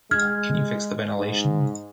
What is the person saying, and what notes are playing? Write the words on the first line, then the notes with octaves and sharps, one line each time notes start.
Can you fix the ventilation?
G#3 F6 G#6
G#2